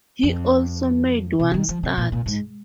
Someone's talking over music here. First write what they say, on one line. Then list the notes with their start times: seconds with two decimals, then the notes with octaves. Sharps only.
He also made one start.
0.23 F2
1.39 C3
1.54 D#3
1.69 F3
1.83 C3
1.97 A#2
2.12 A#2
2.26 G#2